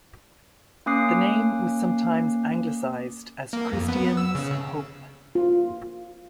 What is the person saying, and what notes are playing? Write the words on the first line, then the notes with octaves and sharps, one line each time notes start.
The name was sometimes anglicized as Christian's Hope.
A#3 C#4 D6 D#6 F#6 C7
A#3
F2
B3
E6
C#3
F4